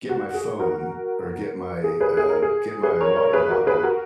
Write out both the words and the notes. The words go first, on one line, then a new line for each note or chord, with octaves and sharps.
get my phone." or "Get my, uh, get my water bottle."
F#4
G#4
F#4 A#4
G#4
G#4 B4
G#4
A#4
G#4
G#4 B4
A#4 C#5
A#4 C#5
G#4 B4
F#4 A#4
G#4 B4
F#4 A#4